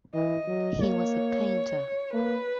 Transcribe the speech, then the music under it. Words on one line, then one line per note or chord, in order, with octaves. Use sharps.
He was a painter.
E3 D#5
F#3
A#3 C#5
A#3 B4